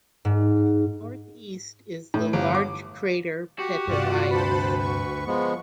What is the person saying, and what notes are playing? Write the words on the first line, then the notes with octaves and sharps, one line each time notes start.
To the northeast is the large crater Petavius.
G#2
A2
G1
D6
F#4 G4
G2 C3 F4 D5 F#5
D2 B4 C5 A5 B5
C#6
F3 G#3 B3